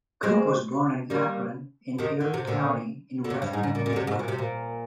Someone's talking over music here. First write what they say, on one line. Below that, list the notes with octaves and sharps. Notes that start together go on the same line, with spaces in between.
Cook was born in Akron, in Erie County, in western New York.
G#3 C4
G3 A#3
C3 D#3
D3
C3
A#2 D3
D3
C3
G2
G#2
G#2
A#2
A#2
D3
C3
G#2
A#2
C3
A#2